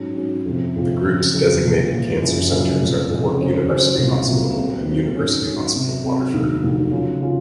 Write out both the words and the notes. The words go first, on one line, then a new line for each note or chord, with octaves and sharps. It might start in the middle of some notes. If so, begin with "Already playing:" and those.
The Group’s designated cancer centres are Cork University Hospital and University Hospital Waterford.
Already playing: G#2 F#3 C#4
G#2 F#3 C#4 F#4
F2 C3 F3
F2 C3 F3
F2 C#3 F#3 C#4
F2 C#3 F#3 C#4
C2 A#2 F3
C2 A#2 F3
F#1 F#2 C#3 F3
F#1 F#2 C#3 F3
F1 F2 C#3 F3
F1 F2 C#3 F3
C#3 F#3 C#4 G#4 C5
C#3 F#3 C#4 G#4 C5
C2 C3 F#3 A#3 F4
C2 C3 F#3 A#3 F4
A#2 F#3 C4
A#2 F#3 C4
G#2 F#3 C#4
G#2 F#3 C#4
C3 F#3 C4
C3 F#3 C4
F1 D#2 D#3 F#3
F1 D#2 D#3 F#3
C#3 F#3 C#4 F4
C#3 F#3 C#4 F4